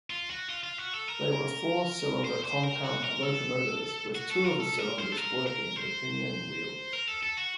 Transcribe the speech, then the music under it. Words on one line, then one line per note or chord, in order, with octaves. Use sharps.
They were four-cylinder compound locomotives with two of the cylinders working the pinion wheels.
F4
F#4
F4
F4
F#4
A4
A#4
C5
C5
A#4
F#4
A#4
A4
F#4
A4
A#4
A4
A#4
C5
A4
A#4
A#4
C5
A#4
A4
A4
F#4